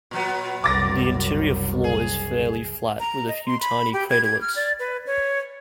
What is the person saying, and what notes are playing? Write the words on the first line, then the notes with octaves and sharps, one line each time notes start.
The interior floor is fairly flat, with a few tiny craterlets.
A#2 F#3 B3
F#1 C2 D6 A6 A#6
G#4
A#5
D#5
C6
B5
G4
G#6
G#6
F6
D5
B4
C#5